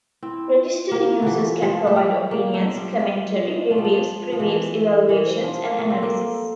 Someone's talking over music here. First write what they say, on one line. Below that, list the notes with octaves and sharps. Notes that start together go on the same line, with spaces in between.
Registered users can provide opinions, commentary, reviews, previews, evaluations and analysis.
C4 E4
F4
A#3
E4
F4
D3 E3 G4
F4
F3 G4
A3
G3 G4
A#3 F4
A3
F4
G3
G3
F3
G3
F3
F3
E3 G4
A4
E3 A#4
C5
F3
A4
A#4
A#3 A4
C4
A#3